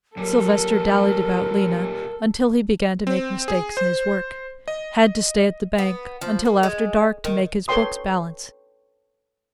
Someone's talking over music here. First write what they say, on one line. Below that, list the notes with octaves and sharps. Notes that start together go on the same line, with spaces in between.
Sylvester dallied about Lena until he began to make mistakes in his work; had to stay at the bank until after dark to make his books balance.
A#2 F#3 G3 A4 A#4
C4
G#4
C5
D#5
B3
F3
A#3
G#3
D#3
A4 B4 C#5 G5 C6 D#6